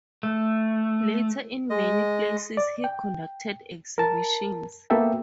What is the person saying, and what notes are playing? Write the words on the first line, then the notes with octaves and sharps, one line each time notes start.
Later in many places he conducted exhibitions.
A3
G#3 D#5
D5
G5
A#4 A5
A#3 B3 F#4 A4 E5 G5